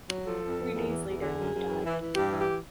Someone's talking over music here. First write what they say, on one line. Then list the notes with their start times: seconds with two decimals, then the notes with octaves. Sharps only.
Three days later, he died.
0.10 F#3
0.26 F3 A4
0.42 F2
0.58 F3
0.73 E2
0.89 E3
1.05 E2
1.21 D3 G#4
1.37 F#2
1.53 F#2
1.68 E3
1.85 E3
2.00 E3
2.16 G2 G4
2.32 E3
2.39 G4